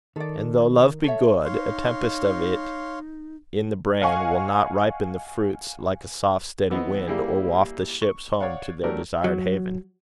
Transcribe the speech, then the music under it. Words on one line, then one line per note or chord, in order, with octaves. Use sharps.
And, though Love be good, a tempest of it in the brain will not ripen the fruits like a soft steady wind, or waft the ships home to their desired haven.
D#3 A4 D5
A4 C#5 E5
D#4 C#5 F5 C6
D#5 F5 F#5 G#5 C#6
E3 B3 C4 D#5
G3 A#3 E4 G4 G#4
C#6
C#5 D5 F5 F#5
F#3 A3 D4 G4 A#4
F#3